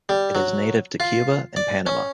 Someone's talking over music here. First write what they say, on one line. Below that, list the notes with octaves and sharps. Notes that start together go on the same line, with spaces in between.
It is native to Cuba and Panama.
G3
F#3
F4
D5
C#4